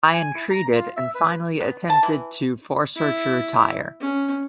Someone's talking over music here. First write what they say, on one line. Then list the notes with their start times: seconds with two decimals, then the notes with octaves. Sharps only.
I entreated, and finally attempted to force her to retire.
0.11 G#5
0.35 E4
0.50 A#5
0.72 F4
0.96 E5
1.15 B4
1.60 B3
1.90 A5
2.03 E3
2.97 E4
4.01 C#4